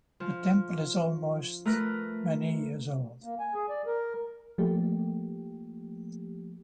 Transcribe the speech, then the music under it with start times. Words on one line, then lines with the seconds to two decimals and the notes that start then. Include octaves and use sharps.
The temple is almost many years old.
0.20 F3
1.65 A3 A#4 B4
3.24 A#3
3.39 G#5
3.55 G#4
3.69 D5
3.86 A#4
4.58 F3 A3 A#3 G4